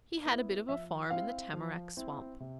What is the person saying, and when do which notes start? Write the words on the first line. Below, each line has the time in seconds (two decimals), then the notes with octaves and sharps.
He had a bit of a farm in the tamarack swamp.
0.25 B3 E4
0.69 F3 E5
1.10 C4 E4 F5
1.53 F3
1.97 C4 E4
2.40 C3